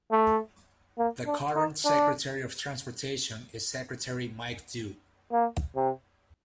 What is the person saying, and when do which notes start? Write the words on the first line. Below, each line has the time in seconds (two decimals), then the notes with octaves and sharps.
The current Secretary of Transportation is Secretary Mike Dew.
0.11 A3
0.98 A#3
1.26 D4
1.56 D#4
1.85 D4
5.32 A#3
5.76 C3